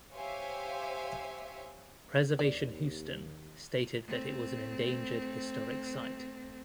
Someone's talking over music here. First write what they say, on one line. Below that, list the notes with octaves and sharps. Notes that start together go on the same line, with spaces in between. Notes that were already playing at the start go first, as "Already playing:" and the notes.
Preservation Houston stated that it was an endangered historic site.
G4 C5 C#5 E5 F5 G#5
D#2 D5
A3 C4